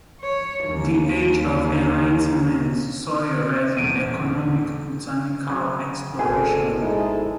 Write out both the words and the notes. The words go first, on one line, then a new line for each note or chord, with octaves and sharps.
The age of enlightenment saw a rise in economic botanical exploration.
C#5
D#2
D#1 E2 D7 D#7
C#3 F#3
G#1 A3 G#4 A4 G#5
G#3 D#4 E4 A4